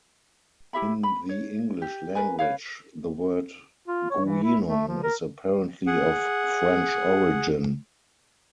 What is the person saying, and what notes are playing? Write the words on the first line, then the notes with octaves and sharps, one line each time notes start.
In the English language, the word "guenon" is apparently of French origin.
E4 G4 E5 B5
B5
C#5
G4
A#4 B4 G#5
B4 C#5 F5
F4
C#5
E3
E4
A3
F3
A#4
G#4 F#5